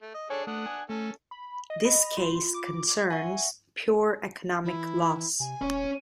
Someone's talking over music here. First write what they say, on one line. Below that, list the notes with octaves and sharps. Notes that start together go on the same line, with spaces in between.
This case concerns pure economic loss.
A3
D#5
D4 G#4 A4 C#5 G#5
A3 D4 F#5 D#6
G#5
A3 C#4 A4
B5
D#5
B5
F4 C6
D6
E5 F#5 G#5 C#6
E3 E4
C3 G#5
D#1 C#4